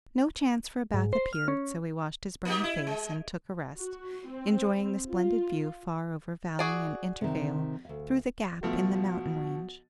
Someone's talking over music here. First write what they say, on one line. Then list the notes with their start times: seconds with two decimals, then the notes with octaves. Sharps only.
No chance for a bath appeared, so he washed his burning face and took a rest, enjoying the splendid view far over valley and intervale through the gap in the mountain range.
0.94 G#2
1.13 C5
1.33 F6
1.48 C#4
2.45 A#3 D#4 G4
2.64 E4
2.87 G#3
3.78 F#4
4.29 C4
5.10 F4
6.59 F#4 G#4 D5
7.21 C3 D#3
7.85 D2 F5
8.63 B2 F3 A3 F#4